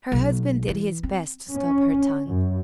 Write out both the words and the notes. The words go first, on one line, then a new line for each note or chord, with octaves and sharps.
Her husband did his best to stop her tongue.
B1
E3
C4
C#4
F#2